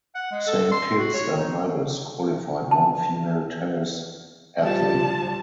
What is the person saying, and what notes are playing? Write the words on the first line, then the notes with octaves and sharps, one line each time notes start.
Saint Kitts and Nevis qualified one female tennis athlete.
F#5
G#3
A4
C6
F#4
C#5
D#4
A5
F3 G3 A5